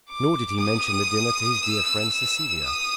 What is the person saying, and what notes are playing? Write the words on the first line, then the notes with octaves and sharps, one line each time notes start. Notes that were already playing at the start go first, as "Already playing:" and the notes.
Nor did he mention the dinner to his dear friend Cecilia.
D6
D#6
E6
E6
D#6